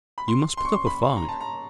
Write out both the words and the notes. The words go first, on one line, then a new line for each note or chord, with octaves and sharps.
You must put up a fight.
B5
C6
C6
C#6
C6
B5
A#5
A5
A#5